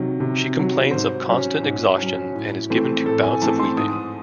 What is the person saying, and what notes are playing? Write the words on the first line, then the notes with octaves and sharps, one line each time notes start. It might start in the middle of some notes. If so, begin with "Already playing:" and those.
She complains of constant exhaustion and is given to bouts of weeping.
Already playing: C3 D#3 F#3
C3
D#3 F#3
G#2 C5
F#3 C#4
G#2
F#3 C#4
A2
E3 A3 C4
A2 A4
G#5
E3 A3 C4 A5
C6
G#2 D#6